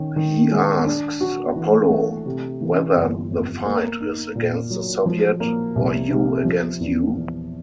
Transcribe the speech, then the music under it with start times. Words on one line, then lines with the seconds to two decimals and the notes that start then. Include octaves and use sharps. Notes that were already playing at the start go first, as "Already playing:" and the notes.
He asks Apollo whether the fight is against the Soviet, or you against you?
Already playing: D#3 C#4
0.16 D#3
0.51 G#3
0.86 D4
1.21 F#4
1.55 E3
1.90 A3
2.26 C3
2.61 E3
2.95 G1
3.31 F2
3.66 A#3
4.01 D#4
4.35 A#2
4.70 F#3
5.06 F3
5.40 A#3
5.76 C2
6.10 C3
6.45 F3
6.80 E2
7.15 E2